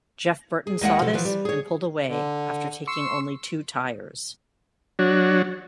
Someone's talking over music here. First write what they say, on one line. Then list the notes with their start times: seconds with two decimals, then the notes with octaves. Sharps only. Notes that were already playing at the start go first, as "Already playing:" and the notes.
Jeff Burton saw this and pulled away after taking only two tires.
0.67 G#4
0.81 D#2 G#3 E5 F#5
1.02 B2 F3 A4
1.13 E3 F3 B4
1.25 G3
1.45 G#4 C#5
2.09 D3
2.88 C6 C#6 E6
4.99 F#3 D4 F#4 C#5